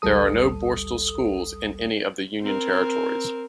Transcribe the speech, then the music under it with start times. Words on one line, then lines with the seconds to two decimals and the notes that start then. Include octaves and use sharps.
There are no borstal schools in any of the union territories.
0.02 A1 D2 G3 A4 D#6
2.41 C4 A#4